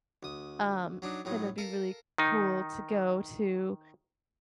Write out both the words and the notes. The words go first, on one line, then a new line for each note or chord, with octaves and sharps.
Um, and it'd be really cool to go to,
D2 D#6
F#3 D4 D#4
A2 F#3 D#4
A4 A#4 F5
D#3 D#4